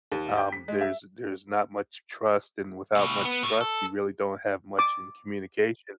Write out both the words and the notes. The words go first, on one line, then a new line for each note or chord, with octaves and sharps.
um, there's there's not much trust, and without much trust, you really don't have much in communication,
D#2
G5
B6
G#3
E5
D2 B2
B3
A2
A4
D6